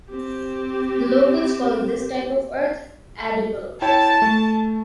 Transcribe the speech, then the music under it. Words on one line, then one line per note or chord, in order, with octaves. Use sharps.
The locals call this type of earth "adable".
C4 G4
E4 C#5 G5 A5
A3